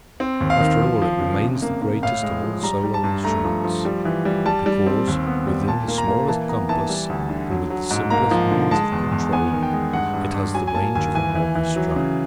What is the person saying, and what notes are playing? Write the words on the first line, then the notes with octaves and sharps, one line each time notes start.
After all, it remains the greatest of all solo instruments, because, within the smallest compass and with the simplest means of control, it has the range of an orchestra.
C4
D#2
F5
D#3
F3
F3
C#3
C3
A#3
A#3
A2 F5
G#3
F3
G3 A#5
G3
A5
G2
A3 A#5
F3
F3
G3
E3
G3
G3 A5
G3
C4
D#2
B3
G3
A#2 A5
A#3
A#5
A#3
E3 A5
B3 A#5
E3 A5
G3
D2
D3
F#3
F#3
G#2
A#3 A#5
F3
D3
G#3 A5
E2
E2
B3 G#5
D#3
G5
G#3
G2 F#5
G2
G2
F#3 G#5
G#5
A#3 A5
D#2 G#5
E3 G#5
E3
E3
F#3
C#3